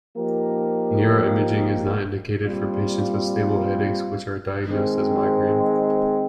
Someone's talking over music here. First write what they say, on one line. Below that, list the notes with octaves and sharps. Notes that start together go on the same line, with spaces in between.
Neuroimaging is not indicated for patients with stable headaches which are diagnosed as migraine.
F3 A#3 D#4 G4 A#4
A#2 G3 C4 F4
D#3 G#3 C4